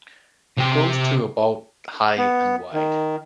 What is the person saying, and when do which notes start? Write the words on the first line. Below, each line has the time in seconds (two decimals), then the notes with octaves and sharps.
It grows to about high and wide.
0.58 C3 G4
2.18 B3
2.73 D#3